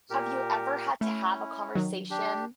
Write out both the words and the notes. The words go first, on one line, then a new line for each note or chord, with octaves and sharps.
have you ever had to have a conversation
A#2 G4 A#4
A3 C#4 E4
D#3 F#3
D4 G4